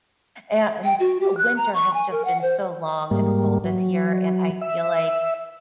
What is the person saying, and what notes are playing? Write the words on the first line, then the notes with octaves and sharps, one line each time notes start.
And winter has just been so long and cold this year, and I feel like
G5
F#4
G4
F#6
A#5
C#6
G#5
A#4
F#5
C5
G#2 G3 A#3
F#3
E5